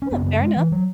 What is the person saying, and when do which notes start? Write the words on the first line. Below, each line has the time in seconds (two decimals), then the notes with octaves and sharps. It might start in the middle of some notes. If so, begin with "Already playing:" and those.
Yeah, fair enough.
0.02 C#4
0.12 F#2 C#3 B3
0.26 B3
0.42 G#3
0.56 E3
0.72 F#3